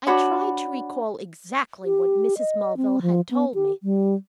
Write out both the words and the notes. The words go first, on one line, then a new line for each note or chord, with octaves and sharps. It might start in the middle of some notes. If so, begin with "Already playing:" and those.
I tried to recall exactly what Mrs. Mulville had told me.
D4 F#4 C#5 B5
G4
D#5
C4
F3
B3
G4
G3